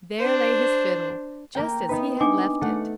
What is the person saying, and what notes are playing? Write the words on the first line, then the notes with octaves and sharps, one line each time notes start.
There lay his fiddle, just as he had left it.
D4 C5
A#3 A#4 G5
B3 D#4 B4
D4 D#4 G#5 D6
A3 F#5